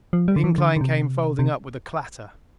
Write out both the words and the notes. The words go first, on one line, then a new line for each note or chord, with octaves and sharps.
The incline came folding up with a clatter.
F3
G3
D3
E3
D3
D3
C3
C3